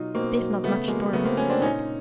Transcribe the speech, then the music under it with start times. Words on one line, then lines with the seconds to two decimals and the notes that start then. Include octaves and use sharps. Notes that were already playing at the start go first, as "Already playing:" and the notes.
"This not much storm," he said.
Already playing: B2 F#3 D#4 F4
0.15 B2 A#3 C4
0.39 F#3
0.63 C#3 A3 B3
0.88 F#3 G#3 A#3
1.13 C#3 A3 B3
1.25 A#3 C4
1.37 F#3 B3 C#4
1.50 C4 D4
1.62 A#2 C#4 D#4